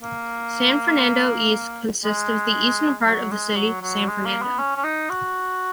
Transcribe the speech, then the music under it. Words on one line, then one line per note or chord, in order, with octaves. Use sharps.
San Fernando East consists of the eastern part of the city of San Fernando.
A#3
G#3
F#3
G#3
F#3
F#3
G#3
A#3
B3
C#4
C#4
D#4
F#4